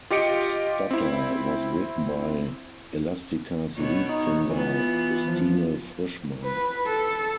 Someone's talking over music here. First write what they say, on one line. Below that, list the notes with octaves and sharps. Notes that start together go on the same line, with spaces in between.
"Stutter" was written by Elastica's lead singer, Justine Frischmann.
F4 G4 D#5 C#7 D7
C4 E4
B2 C#5
D#4
E3 B3 F4
F3
B4
A4